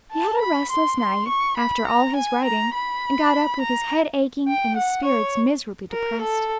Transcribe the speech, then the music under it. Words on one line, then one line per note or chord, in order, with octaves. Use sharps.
He had a restless night, after all his writing, and got up with his head aching, and his spirits miserably depressed.
A5
B5
C6
C6
C#6
B5
A#5
G#5
A#5
B5
A#5
G5
F#5
C#5
A#4
A4